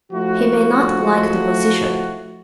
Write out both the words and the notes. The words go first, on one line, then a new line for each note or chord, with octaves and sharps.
He may not like the position.
F3 A3 E4 F#4